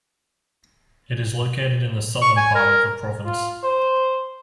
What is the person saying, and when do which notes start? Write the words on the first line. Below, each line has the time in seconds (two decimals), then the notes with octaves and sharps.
It is located in the southern part of the province.
2.22 C#6
2.37 G#5
2.55 A#4
3.25 F4
3.64 C5